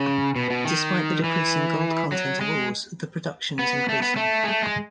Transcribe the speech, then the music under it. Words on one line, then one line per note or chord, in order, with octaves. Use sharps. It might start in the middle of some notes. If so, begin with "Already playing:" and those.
Despite the decreasing gold content of ores, the production is increasing.
Already playing: C#3
B2
B2
D#3
E3
F#3
G#3
B3
A3
B3
A3
G#3
A3
G#3